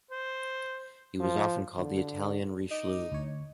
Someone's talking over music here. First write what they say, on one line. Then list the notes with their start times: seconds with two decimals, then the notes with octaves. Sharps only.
He was often called the "Italian Richelieu".
0.11 C5
1.20 F3
1.77 D3
2.71 D#4 D6
3.12 D2 C#5